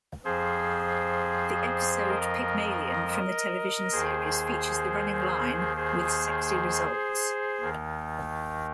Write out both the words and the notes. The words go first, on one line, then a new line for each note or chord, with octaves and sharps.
The episode "Pygmoelian" from the television series features the running line "...with sexy results".
F2 F3 G#4 C5
A#4 D#5
D#2 D#3 G#4 C5
G#4 C5
D#2 D#3